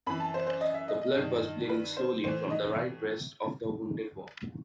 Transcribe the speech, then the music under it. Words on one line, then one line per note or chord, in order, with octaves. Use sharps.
The blood was bleeding slowly from the right breast of the wounded one.
F#2 E3 B5
A5
C5
C5
D#5
E5
D#5
D#5
G2 D#3
B4
C5
A2 E3 C5
D#5